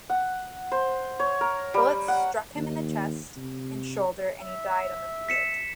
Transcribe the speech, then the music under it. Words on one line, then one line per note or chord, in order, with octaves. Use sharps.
Bullets struck him in the chest and shoulder and he died on the field.
F#5
C5
C#5
A#4
G3
F#5
D#2
C3
E5
B6 C#7 E7